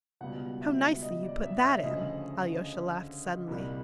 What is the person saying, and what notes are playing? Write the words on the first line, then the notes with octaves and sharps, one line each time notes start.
"How nicely you put that in!" Alyosha laughed suddenly.
C#2 B2 G3 F#5
E5
D#5
D5
E5
E5
D2 C#3 F3 D#5
C2 A#2 G3